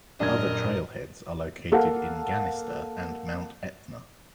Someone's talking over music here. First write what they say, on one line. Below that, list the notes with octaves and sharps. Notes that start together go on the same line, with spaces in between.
Other trailheads are located in Ganister and Mount Etna.
D#1 F#2 D4 A#4 D#5 G#6
A#3 A4 F5 F#5